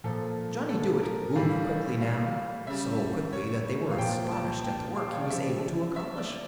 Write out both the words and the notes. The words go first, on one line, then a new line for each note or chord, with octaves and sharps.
Johnny Dooit moved quickly now--so quickly that they were astonished at the work he was able to accomplish.
A#2 F3 A4
A4
A#4
A2 E3 G3 F5
F5
C#3 G3 E5
C#5
F5
A#2 F3 G5
A5
G5
F5
C#5
D5
C#3 F3 E5
E5
D5